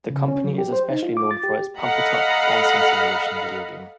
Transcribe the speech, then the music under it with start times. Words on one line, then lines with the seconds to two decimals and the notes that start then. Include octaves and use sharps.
The company is especially known for its "Pump It Up" dancing simulation video game.
0.10 C#3
0.28 C#4
0.44 F#3
0.58 G4
0.73 C5
0.90 D#4
1.03 F4
1.17 D6
1.31 A6
1.43 G4
1.79 A4 D#5 F5 F#5 A#5 B5